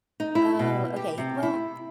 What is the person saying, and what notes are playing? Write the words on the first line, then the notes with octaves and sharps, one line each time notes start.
Oh, okay. Well,
D#4
E4
B2
G4
C3
E4